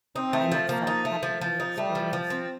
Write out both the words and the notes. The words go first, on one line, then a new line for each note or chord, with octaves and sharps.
I, myself haven't really experienced
C4 D#4
A3
F3
F3 A#3
D#4
A3
F3
F3
D#4
G3 A3
F3
F3
C4